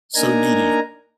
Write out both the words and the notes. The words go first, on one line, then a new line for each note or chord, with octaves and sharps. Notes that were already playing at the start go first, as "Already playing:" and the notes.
so needy.
A#3 D4 D#4 A#4 G#5 A#5